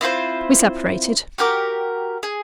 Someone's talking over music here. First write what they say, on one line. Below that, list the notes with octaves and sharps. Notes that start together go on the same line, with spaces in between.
We separated.
C4 E4 F4 C5
F#4 G4 A#4 D6
G#4